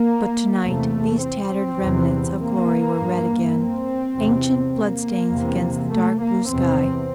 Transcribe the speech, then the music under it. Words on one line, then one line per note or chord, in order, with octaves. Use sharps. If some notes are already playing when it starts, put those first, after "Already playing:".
But to-night these tattered remnants of glory were red again: ancient bloodstains against the dark-blue sky.
Already playing: A#3
E2 C3 A3
C4
E2 C3
A#3
G2
C4
E2 C3
A#3
E2 C3
A3
A#3
E2 C3 C4